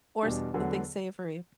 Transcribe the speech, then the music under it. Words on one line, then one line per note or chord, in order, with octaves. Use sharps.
or something savory.
E2 B2 G3 D4
E2 D3 F#3 B3